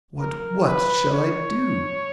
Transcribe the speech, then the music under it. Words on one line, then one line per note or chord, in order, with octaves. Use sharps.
'What, what, shall I do!'
A#4
B4
C#5